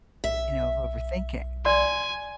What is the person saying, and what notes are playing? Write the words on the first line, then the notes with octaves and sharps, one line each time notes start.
you know, of overthinking
B1 E5
D5 G#5 C6